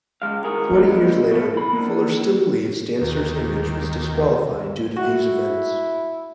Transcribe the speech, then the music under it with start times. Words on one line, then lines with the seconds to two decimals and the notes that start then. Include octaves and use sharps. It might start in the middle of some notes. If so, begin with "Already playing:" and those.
Forty years later, Fuller still believes Dancer's Image was disqualified due to these events.
0.22 C#2 A2 G#3 F5
0.44 D#3 E3 F#4 G#4 A#4
0.73 A#2 D3 F#3 G#3 A#3 B3
1.31 B2 A3 A#3
1.54 E3 B5
1.73 D3 A#3
3.01 D#2
4.96 E4 F#4